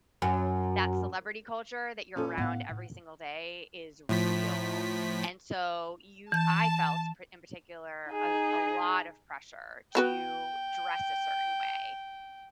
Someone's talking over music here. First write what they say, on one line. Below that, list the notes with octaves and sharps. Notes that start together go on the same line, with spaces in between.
that celebrity culture, that you're around every single day, is real, and, so, you I felt, p in particular, a a lot of pressure to dress a certain way,
F#2
A#2 C#4 A4
A2 B3 F5 F#5
A2
A2 F3 B6
E3 A5 G6
D#4 G#4
B3 F#4 B4 G5